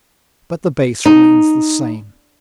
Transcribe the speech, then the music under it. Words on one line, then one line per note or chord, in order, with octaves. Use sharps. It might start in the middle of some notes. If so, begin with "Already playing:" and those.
But the base remains the same.
D#4